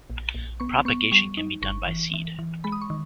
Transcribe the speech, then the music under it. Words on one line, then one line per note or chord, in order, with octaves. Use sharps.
Propagation can be done by seed.
A#1
A#1
B3 C#6
B3 C#6
G3 C#6
D#4
G1 C#6
E3
E3
E3
G#3 B5
D#6
C#6
D#3